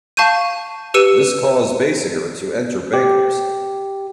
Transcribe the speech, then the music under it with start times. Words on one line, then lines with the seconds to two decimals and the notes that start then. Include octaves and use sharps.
This caused Basinger to enter bankruptcy.
0.17 F5 A5 C#6 G6 D#7
0.94 G4 B4 E6 C#7 D#7 E7
2.93 G4